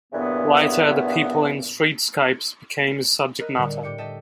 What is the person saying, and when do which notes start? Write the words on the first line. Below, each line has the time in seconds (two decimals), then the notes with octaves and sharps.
Later the people in streetscapes became his subject matter.
0.13 G2 A#2 C#3 E3 B3
3.40 A#4 B4 D#5
3.56 A2 D3 G3
3.83 A2 G4 D6 C#7
3.98 A4 D#5 E5 G5 A5